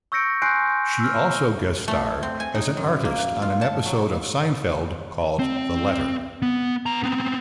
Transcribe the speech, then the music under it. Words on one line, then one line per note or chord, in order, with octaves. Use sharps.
She also guest-starred as an artist on an episode of "Seinfeld" called "The Letter".
C#6 E6 G6 A#6 C#7 D7
G#5 C6 F#6 G6 C7 D7
E6 F6
A3
C4
G#5
D#4
F#2
A#3
F4
A5
F#3
C4
B3
B3 A#5
B3 C4